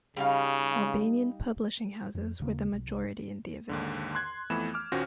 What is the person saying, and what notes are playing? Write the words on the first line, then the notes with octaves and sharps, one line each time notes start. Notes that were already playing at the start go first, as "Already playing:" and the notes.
Albanian publishing houses were the majority in the event.
C#3 G3 D#4 F5
F2
D#2 C#3 A#3
B1
C2
D#2 G#2 D3
C6 F#6 G#6
F2 E3 A3 B3 B5 E7
D6 F6
D#2 A#2 C#4 F#4 C5 A#6